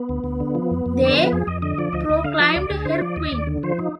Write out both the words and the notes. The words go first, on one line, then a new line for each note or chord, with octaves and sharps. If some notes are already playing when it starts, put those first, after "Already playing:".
They proclaimed her queen.
Already playing: B3
D2
D2
D3
F3
F2
F2
D3 D5
F3 C5
B4
F2 G#4
F2 D#5
D3 D#5
F3 D5
D2 D#5
D2 D#5
D3 F5
F3 D#5
D2 D5
D2 G#4
D3 C5
F3 D5
D#2 D#5
D#2 D5
D3
F3 C5
D#4